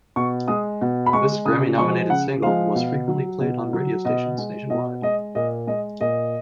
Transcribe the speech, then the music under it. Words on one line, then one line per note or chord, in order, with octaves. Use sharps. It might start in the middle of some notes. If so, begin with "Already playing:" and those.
This Grammy nominated single was frequently played on radio stations nationwide.
B2 C#6
G#3 D#6
B2
B5
G#3 C#6
C#3 D#6
F3 G#3 C#6
C#3 F#5
F3 G#3 F5
B2
F#3
B2
F#3
B2 D#5
G#3
B2 D#5
G#3 D#5
A#2 D#5
G#3 D#5
A#2 D#5